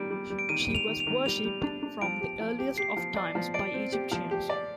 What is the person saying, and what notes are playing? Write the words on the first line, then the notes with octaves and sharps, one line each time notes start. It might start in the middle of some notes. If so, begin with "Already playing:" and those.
She was worshipped from the earliest of times by Egyptians.
Already playing: D#3 G3 D7
G3
G3
D7
D#3 D#7
G3
F7
D#3
F7
D#3
G3 F7
G3
D4
D4
F3 D7
G4
F3
G4
G4 C7
F3
D5
F3
D5 D7
C4
G4
F3
G4
D5